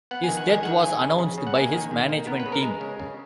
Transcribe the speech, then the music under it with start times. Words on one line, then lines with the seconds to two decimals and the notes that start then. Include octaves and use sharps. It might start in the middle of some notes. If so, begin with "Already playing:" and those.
His death was announced by his management team.
0.11 B3 F#5
0.24 G#5
0.29 D#3
0.37 F#5
0.47 D#3 G#5
0.63 D#3 F#5
0.83 C#3 G#5
1.01 C#3
1.19 C#3
1.38 C#3
1.47 F#5
1.55 A#3 G#5
1.73 D#3
1.91 D#3
2.09 A#3
2.27 B3 A#4
2.40 B4
2.46 C#3
2.52 A#4
2.63 G#3
2.81 C#3
3.00 C#3